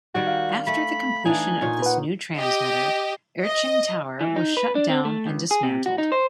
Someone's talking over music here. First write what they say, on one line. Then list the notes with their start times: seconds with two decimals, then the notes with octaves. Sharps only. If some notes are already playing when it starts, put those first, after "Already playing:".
After the completion of this new transmitter, Erching tower was shut down and dismantled.
0.15 D#3 G3 F#4 G4
0.27 F5
0.67 A3 B5
1.26 E3 D4 D#4 G#5
1.61 A#2 D#4 C#5
1.82 B4 F#5
2.36 G4 D#5
3.46 D#5
4.21 E3
4.36 D#4
4.57 B4
4.75 D4
4.89 C4
5.05 A3
5.27 C#2
5.51 G#4
5.63 C3
5.86 F#4
5.98 D#4
6.12 C5